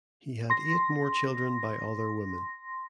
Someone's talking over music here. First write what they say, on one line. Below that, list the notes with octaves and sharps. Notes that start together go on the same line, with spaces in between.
He had eight more children by other women.
C6 A#6